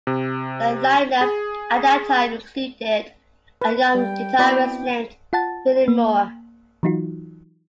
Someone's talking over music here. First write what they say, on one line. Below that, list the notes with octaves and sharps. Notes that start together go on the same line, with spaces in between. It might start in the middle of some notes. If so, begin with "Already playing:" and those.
The lineup at that time included a young guitarist named Vinnie Moore.
C3
G#4
B4
G3 G5
B3 C4 E4 F#4 D5 B5
F4 F#5 A5 A6
A#3
E3 F#3 D#4 F4 F#4